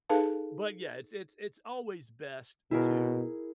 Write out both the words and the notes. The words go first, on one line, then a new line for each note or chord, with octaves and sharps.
but, yeah, it's it's it's always best to
D#4 G#4 A4 B4 F5 A5
B2 E4 G#4 A#4